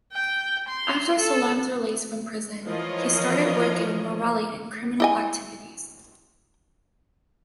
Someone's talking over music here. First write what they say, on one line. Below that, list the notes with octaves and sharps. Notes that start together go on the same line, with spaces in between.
After Salemme's release from prison, he started working with Morelli in criminal activities.
G5
C6
A4
E3 F3 F4 A#4 C#5 D#5
E4 D#5 G#5